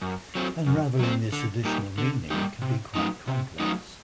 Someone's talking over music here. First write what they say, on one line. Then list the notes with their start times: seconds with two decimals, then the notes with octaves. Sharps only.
Unraveling this additional meaning can become quite complex.
0.02 F#2
0.35 F#3 C4
0.67 F#2
0.99 F#3 C4
1.32 D3
1.65 G3 A#3 D#4 G4
1.98 D3
2.30 G3 A#3 D#4 G4
2.62 C3
2.95 F#3 A3 D#4
3.28 C3
3.60 F#3 A3 D#4